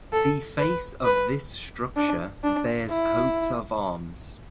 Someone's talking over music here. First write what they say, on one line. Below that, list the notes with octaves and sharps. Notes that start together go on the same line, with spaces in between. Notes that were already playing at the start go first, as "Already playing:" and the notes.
The face of this structure bears coats of arms.
A4
B4
B4
D4
D4
E4